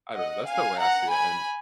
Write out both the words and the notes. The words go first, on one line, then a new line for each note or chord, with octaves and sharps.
I don't know, that's the way I see it and
D#5 F#5
F5 G#5
F#5 A#5
G#5 B5